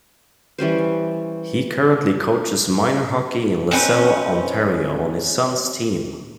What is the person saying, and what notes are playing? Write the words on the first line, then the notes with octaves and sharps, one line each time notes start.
He currently coaches Minor Hockey in Lasalle, Ontario on his sons team.
E3 G3 C#4 C5
C4 C#4 D#4 B4